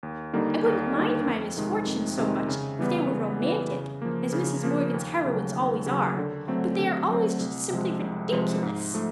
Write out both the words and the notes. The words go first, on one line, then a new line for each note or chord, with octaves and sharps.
I wouldn't mind my misfortunes so much if they were romantic, as Mrs. Morgan's heroines' always are, but they are always just simply ridiculous.
D#2
D3 G3 A#3 D#4
D#2
D3 G3 A#3 D#4
F2
C3 D#3 G#3
F2
C3 D#3 G#3
C#3
E3 G3 B3
C#3
E3 G3 B3
C#3
F3 A#3
C#3
F3 A#3
D#2
C#3 F#3
D#2
C#3 F#3
D3
F#3 A3 C4
D3
F#3 A3 C4
C2
C3 F3 G#3
C2
C3 F3 G#3
G#2
F3 A3